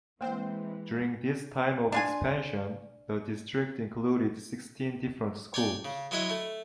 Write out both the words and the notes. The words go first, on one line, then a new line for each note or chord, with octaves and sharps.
During this time of expansion, the district included sixteen different schools.
E3 G#3 A#3 C4 C5 G5
D4 F4 G#5
C#5 D5 G5
C#3
F#3 G#3 E4 C#5 D#5
A3